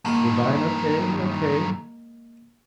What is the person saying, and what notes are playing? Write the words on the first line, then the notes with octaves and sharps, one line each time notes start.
Divine, okay, okay.
G2 D#3 G#3 A#3